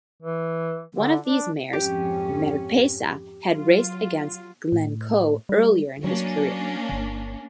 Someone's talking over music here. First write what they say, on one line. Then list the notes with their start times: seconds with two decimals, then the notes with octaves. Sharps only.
One of these mares, Marpessa, had raced against Glencoe earlier in his career.
0.22 E3
0.95 D3
1.23 D4
1.73 F2 G#2 C#4 G4
3.51 F#3 F4
4.72 A2
5.49 G3
6.04 F#3 A#3 C#4 D4
6.92 G1